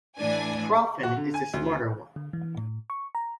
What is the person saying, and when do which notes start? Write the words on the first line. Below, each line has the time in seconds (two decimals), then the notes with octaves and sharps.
Proffen is the smarter one.
0.16 A2 E3 D4 G#5
1.03 F#4
1.16 D3
1.34 G#5
1.54 D2
2.16 D3
2.33 E3
2.57 A2
2.90 C#6
3.15 A#5